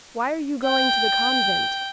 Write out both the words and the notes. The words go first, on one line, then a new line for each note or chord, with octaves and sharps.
"Why are you going to the convent?"
G5